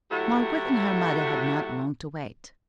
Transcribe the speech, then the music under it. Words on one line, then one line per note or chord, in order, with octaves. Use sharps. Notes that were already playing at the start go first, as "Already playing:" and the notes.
Margaret and her mother had not long to wait.
A2 F#3 E4 F#4 G4 A4